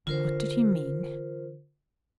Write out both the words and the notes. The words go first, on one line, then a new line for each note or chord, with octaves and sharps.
What did he mean?
D3 E3 F4 A#4 C5